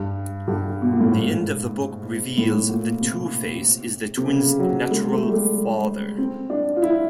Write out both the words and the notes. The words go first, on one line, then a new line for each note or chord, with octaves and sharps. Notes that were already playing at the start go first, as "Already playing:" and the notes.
The end of the book reveals that Two-Face is the twins' natural father.
Already playing: G2
G2
B2
A#2
A2
G#2
A2
A#2
C3
C3
C#3
F#3
G#3
A3
G3
G#3
C4
D4
F4
E4